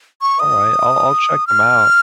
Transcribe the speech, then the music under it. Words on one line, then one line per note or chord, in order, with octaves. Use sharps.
Alright, I'll I'll check them out.
C#6
D#6
F6